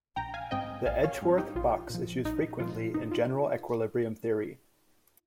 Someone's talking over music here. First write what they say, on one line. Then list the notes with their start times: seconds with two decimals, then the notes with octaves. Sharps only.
The Edgeworth box is used frequently in general equilibrium theory.
0.16 A#1 G5 A#5
0.34 F5 G#5
0.51 G#2 G3 C4 D#5 G5
0.86 A#1 F5 G#5
1.03 C#5 F5
1.21 G#2 G3 C4
1.38 D#4 G4
1.55 A#1 F4
1.90 A#2 F3
2.25 A#1 D#4
2.60 A#2 F3 F4
2.94 G1 D#4
3.11 F4